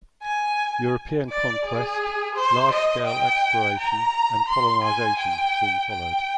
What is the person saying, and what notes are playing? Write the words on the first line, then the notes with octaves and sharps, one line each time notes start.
European conquest, large-scale exploration and colonization soon followed.
G#5
D5
G#4
C5
D#5
G5
A#5
C6
G#5
G5
G5